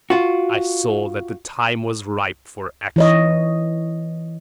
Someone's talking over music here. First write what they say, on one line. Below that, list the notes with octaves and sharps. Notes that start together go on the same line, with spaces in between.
I saw that the time was ripe for action.
F4 F#4
E3 C#5 D#5